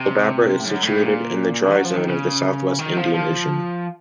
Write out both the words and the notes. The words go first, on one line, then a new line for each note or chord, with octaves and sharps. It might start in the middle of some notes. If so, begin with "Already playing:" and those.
Aldabra is situated in the dry zone of the south-west Indian Ocean.
Already playing: C3
A2
F#2
A2
A#2
F#3
F3
D#3
C#3
D#3
F3
F3